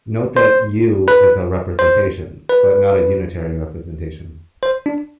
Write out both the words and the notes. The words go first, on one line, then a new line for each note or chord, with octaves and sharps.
Note that "u" is a representation, but not a unitary representation.
C5
B4
C5
B4
C5
D4